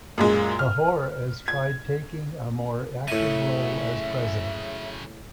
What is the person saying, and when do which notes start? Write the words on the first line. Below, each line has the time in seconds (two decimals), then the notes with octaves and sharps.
Pahor has tried taking a more active role as president.
0.18 F#2 A#2 G#3
0.59 F6
1.48 G#6
3.08 F#2 A2 C#3 E5 G#5